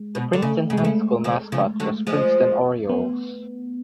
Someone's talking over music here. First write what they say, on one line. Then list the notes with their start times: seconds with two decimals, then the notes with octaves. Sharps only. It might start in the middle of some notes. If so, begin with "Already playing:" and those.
The Princeton High School mascot was Princeton Orioles.
Already playing: G#3
0.15 B2
0.33 D3
0.42 C#3 A3
0.70 C#3
0.73 B2 G#3
0.84 C#3 A3
1.24 C#3 F3
1.52 C#3 F3
1.80 D3 F#3
2.07 F3 G#3
2.89 B3